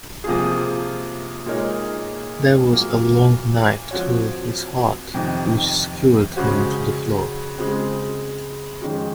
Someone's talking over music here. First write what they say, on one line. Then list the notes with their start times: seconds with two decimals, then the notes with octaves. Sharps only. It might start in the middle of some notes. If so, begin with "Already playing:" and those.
There was a long knife through his heart which skewered him to the floor.
0.24 C3 F3 A#3 F4 G#4
1.46 A#2 G#3 D#4 A#4 C#5
2.69 A#2 F#3 A#3
3.91 F3 C4 F#4 C#5
5.14 F2 C3 D#3
6.36 C#3 G#3 C#4 F#4 C5
7.58 C#3 G#3 C4
8.81 F2 D#3 G#3 C#4